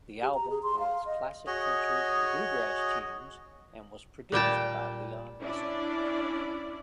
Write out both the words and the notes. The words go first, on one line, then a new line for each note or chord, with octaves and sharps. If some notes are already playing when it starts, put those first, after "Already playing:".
The album has classic country and bluegrass tunes and was produced by Leon Russell.
G4
A#5
G#4
C6
F5
D#5
F#4 G#4 C#5 D#5
A#2 G3 G5 A5
C#4 D4 E4 D5